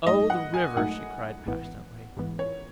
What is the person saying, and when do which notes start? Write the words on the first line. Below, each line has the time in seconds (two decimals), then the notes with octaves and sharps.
'Oh, the river!' she cried passionately.
0.06 G#2 F#3 A3 D#4 D#5
0.30 F#5
0.54 G#5
0.76 G#2 F#3 A3 D#4 F#5
1.46 A1 G#2 E3 B3
2.17 A1 G#2 E3 B3
2.39 C#5